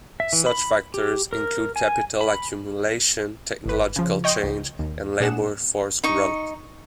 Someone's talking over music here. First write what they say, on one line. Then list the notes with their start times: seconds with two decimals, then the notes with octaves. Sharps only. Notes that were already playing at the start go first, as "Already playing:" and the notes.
Such factors include capital accumulation, technological change and labour force growth.
0.20 E5
0.33 E3
0.46 B5
0.94 G4
1.33 A#4
1.76 G#5
2.21 B5
3.66 G1 B4
3.96 C#3 F3
4.24 C#5 D#5 G5 C6
4.43 C#2
4.79 D#2
5.20 A#2 D4 G#4 F#5 E7
6.04 D#4 C#6